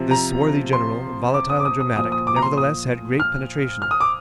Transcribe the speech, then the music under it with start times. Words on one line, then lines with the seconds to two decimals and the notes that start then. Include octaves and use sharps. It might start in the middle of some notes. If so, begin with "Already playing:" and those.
This swarthy general, volatile and dramatic, nevertheless had great penetration.
Already playing: C3 F3
0.11 A#5
0.73 C6
1.34 D6
1.50 D#6
1.60 D6
1.65 D#6
1.80 D#6
1.96 A#2 F3 D#6
2.12 D#6
2.27 D6
2.36 A#5
2.42 C6
2.57 D#6
3.20 F6
3.82 F6
3.91 D#6
4.00 D6